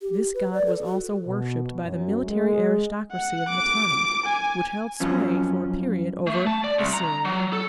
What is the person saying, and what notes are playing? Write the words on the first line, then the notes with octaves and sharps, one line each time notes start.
This god was also worshipped by the military aristocracy of Mitanni, which held sway for a period over Assyria.
G4
G4
B4
D5
A4
F#4
B2
F#2
G#3
F#5
D6
G#5
F#2 F3 C#4
A3
A5
D5
C2
A#5
F#3
A4